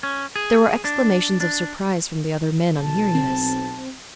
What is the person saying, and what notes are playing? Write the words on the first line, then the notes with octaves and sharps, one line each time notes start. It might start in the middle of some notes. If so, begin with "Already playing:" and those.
There were exclamations of surprise from the other men on hearing this.
C#4
G#4
D4
D4
B1 A5
C4